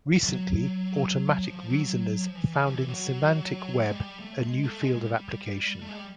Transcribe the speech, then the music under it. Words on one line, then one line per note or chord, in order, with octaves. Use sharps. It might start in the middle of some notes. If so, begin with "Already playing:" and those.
Recently automatic reasoners found in semantic web a new field of application.
F#3
F#3
F3
F3
F#3
F#3
F3
E3
D#3
F3
E3
F#3
G#3
G3
A3
A3
G#3
A3
G#3
G#3
G3
A3
G#3
G3